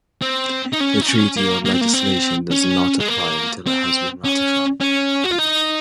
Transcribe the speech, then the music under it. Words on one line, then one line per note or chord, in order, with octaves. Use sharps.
The treaty or legislation does not apply until it has been ratified.
C4
D#4
C#4
D#4
C#4
A#3
A#3
C4
A#3
C4
C#4
G#3
A#3
C4
C#4
C#4
F#4
F4
D#4